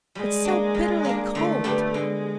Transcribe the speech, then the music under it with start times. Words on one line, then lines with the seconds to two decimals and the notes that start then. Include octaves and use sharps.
It's so bitterly cold.
0.15 G3 G#3
0.45 A#3 D4
0.74 G3
1.05 A#3 D4
1.35 D3 A3
1.64 G3 B3 D4 G4
1.94 D3 G#3